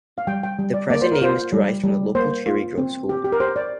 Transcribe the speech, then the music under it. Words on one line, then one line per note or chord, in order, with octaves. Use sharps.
The present name is derived from the local Cherry Grove school.
F5
G3 G5
G5
G3
D5
A#3 D5
C5
A#4
F4 C5
G3
G3
A#3 C5
F4
C4
G4
G4
A#4
G4 C5
D5